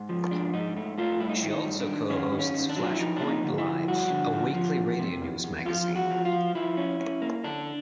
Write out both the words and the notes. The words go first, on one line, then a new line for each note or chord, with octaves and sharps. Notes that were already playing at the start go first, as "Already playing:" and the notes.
She also co-hosts "Flashpoint Live", a weekly radio news magazine.
Already playing: G#2
F3
G#2 D4
G#2 D#4
A3
A3 F4
G2 E4
D#4
E4
D#3
D#4
G2
D4
D#3
D#3 C#4
D#3
C#4
D#3
D4
F#3
F4
E4
F3 D#4
A#3 D4
D#4
D3
E4
F3
G2 F#4
D3
F3
F3
E2
C3
E2
E2
F3 F4
E2
F#4
F3
F4
F3
F3 E4
C#4
C#4
A#3
D3 D4